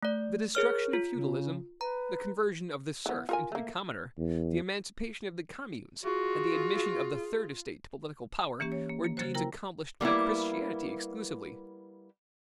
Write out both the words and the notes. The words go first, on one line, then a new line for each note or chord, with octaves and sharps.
The destruction of feudalism, the conversion of the serf into the commoner, the emancipation of the communes, and the admission of the Third Estate to political power, were deeds accomplished by Christianity exclusively.
A3 D5
G#4 A#4 C#5 F6
F4
C#3
B4 A#5
E3 B3
F4 A#4 G#5
A3 A#3
E2
F4 F#4 G#4
E3 A#3 C#4 G4
C#5
A#3
A#3
C#3 F3 F#3 A#3 F#4 C5
E4 A#4 G5 A#5
G3 A#3 B3 E4